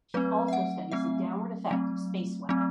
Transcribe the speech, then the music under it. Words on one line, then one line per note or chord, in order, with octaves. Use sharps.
She also studies the downward effect of space weather.
F#3 A3 C4 B4
E5
F#5
F#3 A3 C4 E5
F#3 A3 C4
F#3 A3 C4